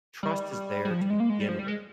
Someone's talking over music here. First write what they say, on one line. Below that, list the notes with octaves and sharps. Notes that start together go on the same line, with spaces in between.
trust is there to begin with,
G3
G3
F3
G3
G#3
A#3
G#3
G3
F3
G3
G#3